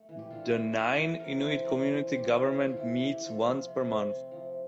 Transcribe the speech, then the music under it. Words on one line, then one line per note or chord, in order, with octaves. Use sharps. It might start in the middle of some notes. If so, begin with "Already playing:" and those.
The Nain Inuit Community Government meets once per month.
Already playing: A3
E3
G4
D4 F4 A4
E3
A3
E3
A4
C4 G4 A#4
E3 A4 C5
A3 A#4 D5
E3 A4 C5
C4 A4
G4
F4 A4
E3
A3 A4
G4
F4
E3 E4 G4
A3 A4
G4
C4 F4 A4
F3
C3
A3
C4
F3